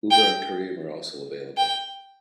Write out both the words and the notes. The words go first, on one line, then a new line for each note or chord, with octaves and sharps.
Uber and Careem are also available.
G5
G5